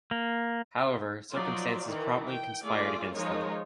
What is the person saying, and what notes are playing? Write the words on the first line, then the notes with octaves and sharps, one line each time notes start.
However, circumstances promptly conspired against them.
A#3
F3 F#3 D#4 F4 D5
D#3 E3
G5
A3 F4 G#4 D5
D#3 F3 G#3 D#4 A#4 C#5